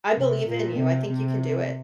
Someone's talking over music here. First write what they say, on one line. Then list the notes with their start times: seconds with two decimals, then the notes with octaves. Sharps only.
I believe in you. I think you can do it.
0.16 C3
0.48 A#2
0.79 C3
1.11 C3